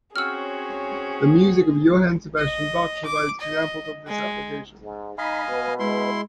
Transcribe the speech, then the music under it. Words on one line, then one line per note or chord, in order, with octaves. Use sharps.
The music of Johann Sebastian Bach provides examples of this application.
C4 C#4 F#4 G#4 C#5 E6 F6
D#5
D6
D#5
G#3
G#2
D#4 D#5 F5 G#5 B5
B2 B4
G#3 E4 C6